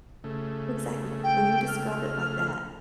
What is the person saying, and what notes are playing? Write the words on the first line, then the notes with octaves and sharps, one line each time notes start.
exactly. When you describe it like that,
C#3 A3
G5
F6